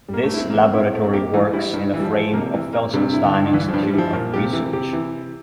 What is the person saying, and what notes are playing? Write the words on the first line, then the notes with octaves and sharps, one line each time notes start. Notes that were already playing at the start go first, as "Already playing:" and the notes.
This laboratory works in the frame of Felsenstein Institute of Research.
G3
A#3
A3
E4
C4
E3 A#3
C4
E4
A3
C4
A#3 G4
E3 A3
G3 E4
G2 G3
E3
G3
F3
E3
C3 A#3
E3
A#3
G2 C3
E4
D3
G2
G2 E3
G2 F3
G3
E3 F3
A#2 A#3
A#2 G4
C3
E3
C3 G4
E3